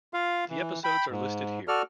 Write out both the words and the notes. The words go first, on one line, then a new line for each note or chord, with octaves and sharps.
The episodes are listed here.
F4 F5
E3
G5 B5
G#2
F#4 A4 D5 F6